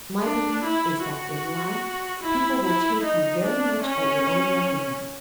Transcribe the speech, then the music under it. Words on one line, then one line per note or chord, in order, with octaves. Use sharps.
My belief is that in life people will take you very much at your own reckoning.
D4
E4
F#4
E4
E4
D#4
D4
C#4